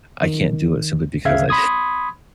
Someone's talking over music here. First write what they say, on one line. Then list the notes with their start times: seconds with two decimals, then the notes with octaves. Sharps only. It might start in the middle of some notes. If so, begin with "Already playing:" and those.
I can't do it simply because I
0.23 D#3
1.25 G#1 D2 C#3 E5 F5 G#6
1.49 B5 C6 D#6 G#6